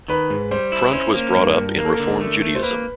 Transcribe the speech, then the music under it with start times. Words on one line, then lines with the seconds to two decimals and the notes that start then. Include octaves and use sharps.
Front was brought up in Reform Judaism.
0.08 D#3 B4
0.30 G#2
0.51 G3 C5
0.72 E4
0.93 C#4 C5
1.14 A#3
1.36 G2 A#4
1.57 G2
1.78 A#3 A#4
1.85 A4
1.94 A#4
2.00 D3
2.20 A3
2.41 A3
2.55 C5
2.62 A#3 B4